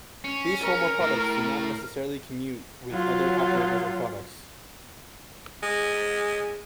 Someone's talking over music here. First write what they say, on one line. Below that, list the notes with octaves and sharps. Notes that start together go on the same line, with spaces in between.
These formal products do not necessarily commute with other operators or products.
C#4
A#4
A2 A4
F#3 F4
G#3